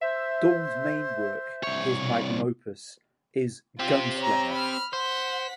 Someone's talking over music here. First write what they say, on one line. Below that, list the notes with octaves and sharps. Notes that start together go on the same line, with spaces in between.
Dorn's main work, his magnum opus, is "Gunslinger".
C5 E5
C2 C#5
C4 F4 G4
C#5 A#5
B5 F6
C5 F#5 B6